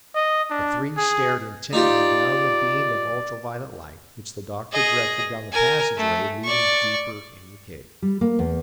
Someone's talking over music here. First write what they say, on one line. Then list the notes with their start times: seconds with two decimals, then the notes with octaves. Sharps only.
The three stared intently down the beam of ultra-violet light which the doctor directed down the passageway leading deeper into the cave.
0.15 D#5
0.50 D4
0.97 G#4
1.73 D#4 F4 G4 D5
4.72 G#4 D#5
5.52 A#4 G#5
5.97 A3
6.44 D5 C#6
8.02 G3
8.21 A#3
8.39 E2